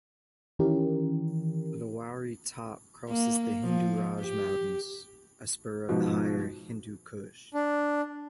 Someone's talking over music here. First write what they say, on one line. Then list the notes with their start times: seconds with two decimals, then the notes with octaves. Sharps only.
Lowari Top crosses the Hindu Raj Mountains, a spur of the higher Hindu Kush.
0.59 D#3 E3 C#4 E4 G4 A#4
3.09 A#3
3.63 F3
4.21 G4
5.89 G#2 B2 F3
7.54 D4